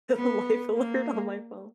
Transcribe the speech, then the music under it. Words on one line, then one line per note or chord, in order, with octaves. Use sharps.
Life alert on my phone.
B3
A#3